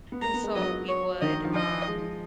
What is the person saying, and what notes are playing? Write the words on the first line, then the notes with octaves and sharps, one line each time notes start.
and so, we would, um,
B3
A#3 A#5
B3
G#3
F#3 D#5
C#5
D#3 D#5
D#3
F3
F3 D#5
G#3